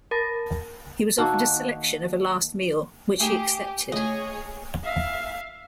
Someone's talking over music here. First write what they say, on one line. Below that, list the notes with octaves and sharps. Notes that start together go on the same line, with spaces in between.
He was offered a selection of a last meal, which he accepted.
A#4 A5 B5 A6 A#6
D#3 A#3 F#4 A4
A3 D#4 G4 G#4
C#2 A2 G#4 C#5 D#5 G#5
E5 F5